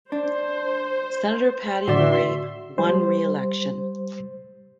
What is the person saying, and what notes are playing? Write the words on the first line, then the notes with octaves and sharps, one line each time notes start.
Senator Patty Murray won re-election.
D4 C5
A2 D3 F#4 D5 E5 C6
G3 C5